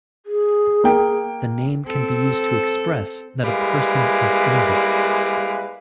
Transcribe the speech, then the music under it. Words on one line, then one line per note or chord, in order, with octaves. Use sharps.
The name can be used to express that a person is evil.
G#4
A#3 G5
C4 A4
G3 G#3 A#3 E4 B4